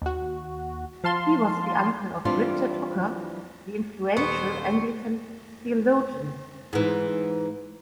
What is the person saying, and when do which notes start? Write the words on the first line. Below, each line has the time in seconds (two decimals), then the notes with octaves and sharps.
He was the uncle of Richard Hooker, the influential Anglican theologian.
0.02 D#2 F#4
1.04 F3 F5 A5 C6
2.25 E3 G3 C4 D4 F4
4.17 D#1 B3 C5 C#6 C#7
6.73 G#2 E3